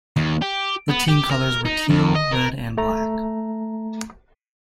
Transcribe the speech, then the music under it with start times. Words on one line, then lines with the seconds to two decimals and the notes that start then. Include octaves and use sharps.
The team colors were teal, red and black.
0.17 D#2
0.42 G4
0.90 B3
1.08 G4
1.31 A#4
1.65 D#4
1.90 F2
2.15 D#5
2.32 A#4
2.78 A3 A#5